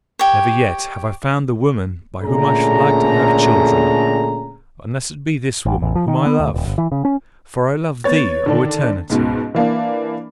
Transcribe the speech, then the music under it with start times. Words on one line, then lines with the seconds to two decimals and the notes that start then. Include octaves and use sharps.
Never yet have I found the woman by whom I should like to have children, unless it be this woman whom I love: for I love thee, O Eternity!
0.19 G4 C#5
2.24 A#2 D3 A3 C#4 G#4 A#5
5.66 A1
5.82 A1
5.95 F3
6.08 D#3
6.27 B3
6.40 D2
6.54 D#1
6.66 G1
6.78 E3
6.92 C#3
7.05 C#4
8.04 B3 C#5 A6
8.46 D3 D#3 D4
9.10 C#2 G#2 B2
9.55 E3 A#3 D4